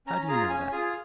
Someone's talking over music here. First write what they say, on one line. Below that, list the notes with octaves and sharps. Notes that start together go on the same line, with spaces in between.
How do you know that?'
C#4 A#5
F4 G#4 A#5
C#4 G#5
F4 G#4 G#5